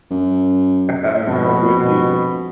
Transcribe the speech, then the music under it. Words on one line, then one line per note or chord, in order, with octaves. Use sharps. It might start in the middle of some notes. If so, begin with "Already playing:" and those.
Alright. I'm with you.
F#2
F2 B2